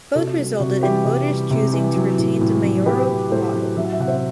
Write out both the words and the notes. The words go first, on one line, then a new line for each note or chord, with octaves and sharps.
Both resulted in voters choosing to retain the mayoral model.
C3 F#4 A4
G3
C3 F#4
E3 E4 G4
C3
G3
C3
E3
F#3
A2
A2
F#3
F#3 G4 B4
A2
A2 A4 C5
F#3
F#3 E5
F#5
E5
C3 F#5
C5 E5